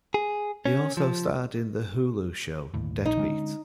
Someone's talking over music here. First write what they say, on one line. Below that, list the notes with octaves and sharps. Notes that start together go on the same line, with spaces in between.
He also starred in the Hulu show "Deadbeat".
G#4
C#4
F3
G1 D#2 A2
A#1 D#4
D3 G#3 C#4